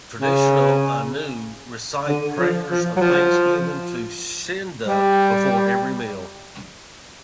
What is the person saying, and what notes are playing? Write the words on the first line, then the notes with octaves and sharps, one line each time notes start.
Traditional Ainu recite prayers of thanksgiving to Shinda before every meal.
C#3
D3
F3
F3
F#3
F3
G3